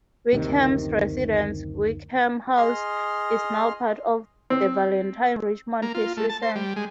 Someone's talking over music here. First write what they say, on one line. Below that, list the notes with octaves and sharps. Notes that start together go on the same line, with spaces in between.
Wickham's residence, Wickham House, is now part of the Valentine Richmond History Center.
F#1 D2 C3 D#3
G#4 D#5 C6 F6
C4
A#3
F4
A3
A5
C5
G3
G#3